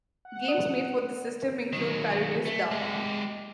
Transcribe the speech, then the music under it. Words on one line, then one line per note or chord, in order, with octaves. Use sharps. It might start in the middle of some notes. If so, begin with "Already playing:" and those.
Games made for this system include Parodius Da!
F#5
D5
D#3 F#3
A3
G#3 G4